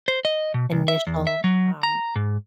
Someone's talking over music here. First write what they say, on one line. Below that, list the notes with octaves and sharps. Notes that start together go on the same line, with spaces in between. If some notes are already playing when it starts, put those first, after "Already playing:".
initial, um,
C5
D#5
B2
C2
E5
E2
E5
F#3
A#5
G#2